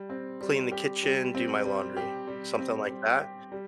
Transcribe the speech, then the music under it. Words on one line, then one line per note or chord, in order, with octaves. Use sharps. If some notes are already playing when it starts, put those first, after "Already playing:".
clean the kitchen, do my laundry, something like that,
Already playing: G3
C4
G3
G4
G3
C4
G3
G4
G3
C4
G3
G4
G3